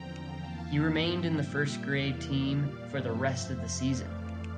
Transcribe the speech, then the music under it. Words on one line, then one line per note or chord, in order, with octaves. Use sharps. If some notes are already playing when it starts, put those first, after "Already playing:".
He remained in the first grade team for the rest of the season.
Already playing: E2 D3 F3 C4 G5 A#5
E2 E3 A#3 F5 A5
G2 F3 C4 E5 G5
A#2 G3 A#3
E2 C3 E3 A#3 D5 F5
A#2 G3 A#3
G2 F3 A3 C4 C5 E5
F2 C3 F3
F2 E3 A3 D5 F5